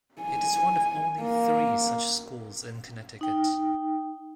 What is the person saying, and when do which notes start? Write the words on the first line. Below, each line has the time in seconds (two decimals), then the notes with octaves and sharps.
It is one of only three such schools in Connecticut.
0.22 G#5
1.22 A#3
3.21 D#4 G5